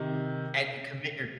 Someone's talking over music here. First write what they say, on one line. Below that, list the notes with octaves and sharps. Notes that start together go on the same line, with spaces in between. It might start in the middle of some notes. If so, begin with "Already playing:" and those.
and you commit your
Already playing: C3 D#3